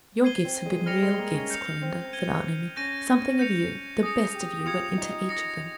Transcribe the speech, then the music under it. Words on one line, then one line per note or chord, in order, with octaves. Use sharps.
"Your gifts have been real gifts, Clorinda," said Aunt Emmy. "Something of you--the best of you--went into each of them."
G#6 C7 D#7 G7
C4
G#3
G3 F6 A#6 C#7 F7
G#3
A#3
C#4
G6 C#7 F7
C4
G#6 D#7 G7
C#4 G6 A#6 D#7
G6 C#7 F7
G#4 D#6 A#6 C#7
G4
G4
F4 D#6 G#6 C#7 F7
D#4
D#6 A#6 C#7